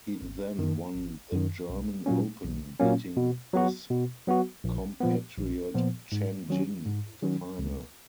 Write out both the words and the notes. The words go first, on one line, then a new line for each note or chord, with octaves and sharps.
He then won the German Open, beating his compatriot Chen Jin in the final.
G#1
F#2 D#3
G#1
F#2 D#3
B1
A#2 F#3 A#3 C#4
B1
A#2 F#3 A#3 C#4
B2
F#3 B3 F#4
B2
F#3 B3 F#4
A#1
A#2 F3 B3
A#1
A#2 F3 B3
G#2
D#3 F#3 C#4
G#2
D#3 F#3 C#4
C#2